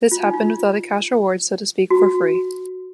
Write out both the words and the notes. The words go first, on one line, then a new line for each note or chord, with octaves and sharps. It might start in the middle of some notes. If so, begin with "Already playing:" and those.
This happened without a cash reward so to speak for free.
F4
D#4
F4
F#4